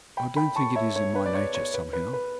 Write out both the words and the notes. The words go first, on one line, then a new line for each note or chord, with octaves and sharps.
I don't think it is in my nature somehow.'
G5 B5
G5 B5
A5 C#6
C#5 E5
C#5
B4
D5
C#5
C#5
B4
B4
B4